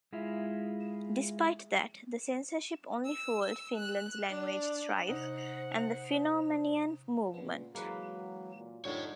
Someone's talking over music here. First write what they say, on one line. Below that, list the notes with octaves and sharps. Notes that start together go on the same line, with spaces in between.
Despite that, the censorship only fueled Finland's language strife and the Fennomanian movement.
G#3 E4 F4
E6
F#6
D4
C3 D#4 C5 F#5
A#2 C#3 B3
E3 F#3 G#3 A#3 B4
A#2
G2 D3 F3 D#4 G4 A4 C#5